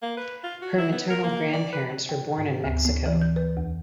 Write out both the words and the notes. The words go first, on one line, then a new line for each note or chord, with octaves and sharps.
Her maternal grandparents were born in Mexico.
A#3
B4
F4
F#4
E4
B3
A#4
A#3
D5
B4
G5
G#2
D2
B3
E3
G6
B4
E2